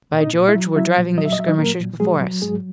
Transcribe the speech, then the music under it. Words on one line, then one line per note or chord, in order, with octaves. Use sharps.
By George, we're driving their skirmishers before us!
A#2
D#4 D#5
A#2
E4 E5
F#3
F#3 E4 E5
A#2
F#3 D#5
E5
D#5
F#3 E5
D#4 D#5
A#2 A#3 A#4
A#2
F#3 G#3 G#4
F#3
G#2 G#3 G#4